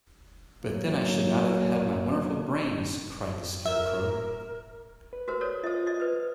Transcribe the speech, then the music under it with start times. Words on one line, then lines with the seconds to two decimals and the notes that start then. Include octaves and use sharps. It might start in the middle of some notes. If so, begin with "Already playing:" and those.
But then I should not have had my wonderful brains! cried the Scarecrow.
0.65 F#3 A#3
3.66 A#4 E5
5.13 B4
5.28 F#4 A#4 C5
5.41 A4 C#5 D5
5.64 F4 C5 D#5 D#6
5.86 D5 D#5
6.00 B4 C5